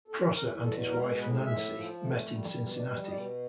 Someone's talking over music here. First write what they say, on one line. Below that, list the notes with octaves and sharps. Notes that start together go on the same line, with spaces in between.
Prosser and his wife Nancy met in Cincinnati.
E2 A4
E2 A#4
B2 A4
G#3 A#4
A2 B4
A2 E5
F3
A3
G3
B2
D5
G3 D#5
D#5
B2 D5